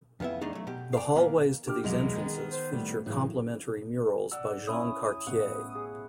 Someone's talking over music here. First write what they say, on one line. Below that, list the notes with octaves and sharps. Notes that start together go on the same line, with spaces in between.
The hallways to these entrances feature complementary murals by Jean Cartier.
F2 C#3 B3 E4 E5
E2 A3 D4 D#4 G#4
F#3 A3
B2 G4
D5 F5
A#2 E3 A#3 B3
D3 G4 D6 F6
E1 C2 F#3 G#3 B3 E4 F7
D#3 B3 G#4
C5
A2 G3
A2 C#3 E3 F#3
D5 F#5 E6
C#4 E4 D#6
A1 B3 F#5
G#4